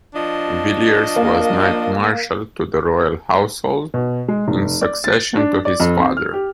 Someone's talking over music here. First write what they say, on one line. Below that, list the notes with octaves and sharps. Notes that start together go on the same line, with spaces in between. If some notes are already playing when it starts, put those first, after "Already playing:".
Villiers was Knight Marshal to the royal household in succession to his father.
F3 D4 D#5
A#3
B2
G#3
F1
D5
A6
D4
D5
F2
C4
F6
G4